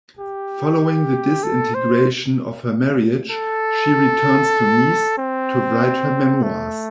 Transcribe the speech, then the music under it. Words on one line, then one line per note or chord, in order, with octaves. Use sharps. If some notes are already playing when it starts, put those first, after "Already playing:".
Following the disintegration of her marriage, she returns to Nice to write her memoirs.
G4
A4
C5
A4
C4
A3